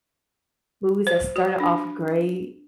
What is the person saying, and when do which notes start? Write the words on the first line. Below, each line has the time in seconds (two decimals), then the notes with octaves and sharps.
movies that started off great.
1.07 C5
1.36 F#4
1.60 D4